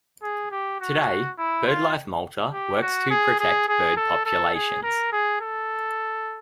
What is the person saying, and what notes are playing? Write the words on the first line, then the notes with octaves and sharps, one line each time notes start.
Today Birdlife Malta works to protect bird populations.
G#4
G4
F#4
E4
F4
G4
F#4
G#4
G#4
G#4
A4
A4
G#4
A#4
G#4
A4